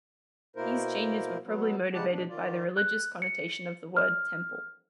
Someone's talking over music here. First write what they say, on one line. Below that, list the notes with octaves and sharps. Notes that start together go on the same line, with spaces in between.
These changes were probably motivated by the religious connotation of the word "temple".
B2 A#3 E4 A#4 C5
F#3 B3
C#3 G3 G#3 G4 F#5 A5
B2 D4
D#3 F4 D5
F#6
C#7
F6